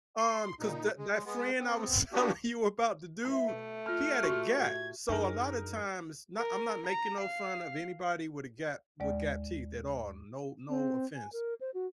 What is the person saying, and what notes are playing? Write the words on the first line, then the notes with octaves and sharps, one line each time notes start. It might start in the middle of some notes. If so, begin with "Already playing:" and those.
Um, 'cause that that friend I was telling you about, the dude, he had a gap, so a lotta times not I'm not making no fun of anybody with a gap with gap teeth at all, no no offense,
C6
A#2 D#4
G#3
G#3 B3
B3 C4
A#3 B3 D4 F#4 G4
G#3 E4 B4 B5
B2 A3
F4 A4 B5 F6
F#4 G4 C#6
A2 G#6
F#2 D4 D#4 G#4 A#4
A#4
A#5
F5
D#2 G#3 D5
C4
G#5
A#4
C5
F#4